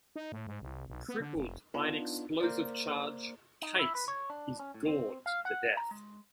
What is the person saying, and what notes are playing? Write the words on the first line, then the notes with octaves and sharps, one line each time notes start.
Crippled by an explosive charge, Kate is gored to death.
D#4
A2
G#2
C2
B1
B3
D3
F1
B3 D4 D#4 F4
A#3 A#4 C5 D5
D#4
E4
B4
C#5
D4
C#4
A2
C4
F5
F#5
A#5
G#3